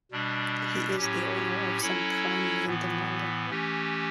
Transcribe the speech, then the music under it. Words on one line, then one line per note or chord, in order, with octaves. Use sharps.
He is the owner of some prime land in London.
B2 G3 D4
A2 F#3 C#4 G4
F#3 C#4 E4 A4
A2 E3 B3
E3 A3 C#4 G4